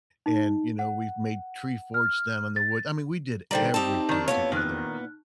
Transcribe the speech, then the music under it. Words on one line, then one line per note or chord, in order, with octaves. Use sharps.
and, you know, we've made tree forts down in the wood I mean, we did everything together,
D#4
F#5
F6
A6
D3 D#3 G3 C5 D5 G5 A#5 F#7
C4 D#4 G4 A5
D#3 D4
E2 A#2 B3 C#5 F5 A5
D#3 D#4 F6 F#6